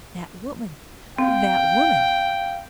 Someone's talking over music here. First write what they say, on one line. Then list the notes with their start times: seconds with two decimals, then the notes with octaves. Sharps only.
"That woman--that woman!"
1.18 C4 F5 G5